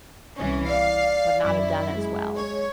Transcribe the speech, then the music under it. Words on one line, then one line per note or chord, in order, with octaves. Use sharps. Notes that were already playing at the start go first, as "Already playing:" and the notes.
would not have done as well
C2 E3 C#4
D5 F5
F#2 E4
G#3
C#5